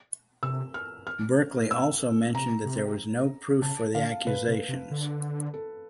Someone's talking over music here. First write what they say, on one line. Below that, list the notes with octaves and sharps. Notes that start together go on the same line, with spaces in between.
Berkeley also mentioned that there was no proof for the accusations.
C3 E6
F6
F6
E6
C3 A#5
C3
C#3 A5
D3 F5
C3 B4
C3
C3
D3
A4